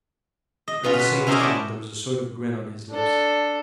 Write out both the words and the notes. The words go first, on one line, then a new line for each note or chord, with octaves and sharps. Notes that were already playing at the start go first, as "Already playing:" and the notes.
At the same time there was a sort of grin on his lips.
D#5
B2 B3 C#4 F4
B3 B4
B4
C#4 E4 A#4 C5 C#5 D#5
D5 F#5 G5 A5
D4 A4